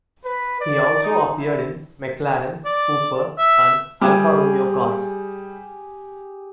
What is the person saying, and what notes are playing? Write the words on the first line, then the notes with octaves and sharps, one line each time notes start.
He also appeared in McLaren, Cooper and Alfa Romeo cars.
B4
D5
D#4
E4
D5
E5
G3 G4 G#4 G#5